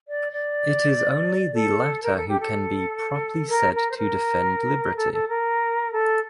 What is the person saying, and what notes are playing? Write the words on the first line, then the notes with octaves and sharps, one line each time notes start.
It is only the latter who can be properly said to defend liberty.
D5
D5
A4
A#4
A4
G4
A4
A#4
A#4
C5
A#4
A4
A4
A#4
A4